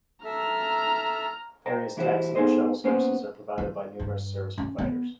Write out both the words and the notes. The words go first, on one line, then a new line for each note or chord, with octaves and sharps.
Various taxi and shuttle services are provided by numerous service providers.
A4 E5 A#5 F6
C5 D#5 G5 A#5
E3 E4 F#4 G4 C5
B3 D#4 G#4 A4 C5 D#5
A#3 B3 C#4 A#4 C5
F4
G2
C#4
B3